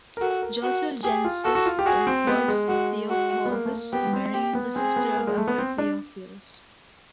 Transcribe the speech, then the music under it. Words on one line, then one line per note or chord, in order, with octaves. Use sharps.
Joseph Genesius records Theophobos marrying the sister of the Emperor Theophilos.
A#4
F#4 A4
A#4
F#4
G4 G#4
F4
F#4 A4
F#4
F4
G4
F#4 G#4
C4
B3 G4
G#3
G#3 F#4
F#4
B3
A#3
A3
A#3
B3 G4
C4
G4
B3
C4 G#4
B3
A#3
G#3
A3
B3
C4
D4